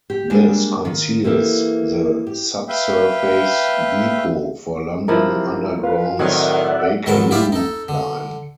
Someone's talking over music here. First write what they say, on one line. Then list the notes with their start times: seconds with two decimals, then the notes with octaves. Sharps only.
This conceals the subsurface depot for London Underground's Bakerloo line.
0.10 G4
0.30 G3 G#3 A#3 D4
0.85 D#3 F4
1.24 E3 A#3 G4 A4
2.27 G4
2.68 B4 E5 F5 G5
5.08 C3 F3 E4 A#4
5.83 F4 B4
6.19 A2 D#3 F#3 C4 D5 E5 F#5
7.06 G#2 D#3 F#3 B4 A5
7.31 E4 F4 G4 D5 E5
7.52 D#4 A4
7.88 D3